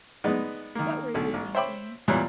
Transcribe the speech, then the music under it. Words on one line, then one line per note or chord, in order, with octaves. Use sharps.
What were you thinking?
G#3 B3 D#4 B4 D5
D#3 A#3
B1 D3
A1
C5 C#5 E5 G5 B5 D6
E2 A#2 E3 G3 C#5 F#6